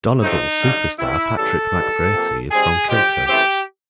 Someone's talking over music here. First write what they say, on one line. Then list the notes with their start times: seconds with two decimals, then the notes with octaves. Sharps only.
Donegal superstar Patrick McBrearty is from Kilcar.
0.23 F#2 C#3 F3 A3 C4 D#4
0.61 F#2 D3 G3 A#3
0.99 C3 E3 A3 E4
1.37 C#3 E3 G3 A4
1.74 G#2 E3 G3
2.13 C3 F3 A#3
2.51 D#3 G3 C4 G#4
2.89 F#2 D3 F3 G#3 G4
3.27 C#3 E3 A3 C4 G4